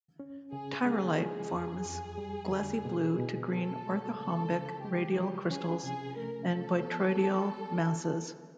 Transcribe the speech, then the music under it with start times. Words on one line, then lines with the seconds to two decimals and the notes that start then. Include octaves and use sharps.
Tyrolite forms glassy blue to green orthorhombic radial crystals and botryoidal masses.
0.20 C#4
0.52 C#3 G#4
0.85 G#3 G#4
1.18 F3
1.52 F2
1.86 F2
2.18 G3
2.51 D3
2.85 B2
3.18 B2
3.51 B3 A4
3.85 G#3
4.17 C#3 A4
4.50 C#3
4.83 G#3 G4
5.18 F3
5.50 C#4 G#4
5.83 C3 G#4
6.17 A3 A#4
6.50 F3 A4
6.83 B3